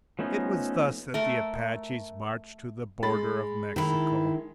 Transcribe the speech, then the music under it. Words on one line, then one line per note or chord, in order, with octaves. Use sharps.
It was thus that the Apaches marched to the border of Mexico.
F3 A3 B3 C#4 D#4
A3 A#4
G#3 B5 A6
D#3 E4 A4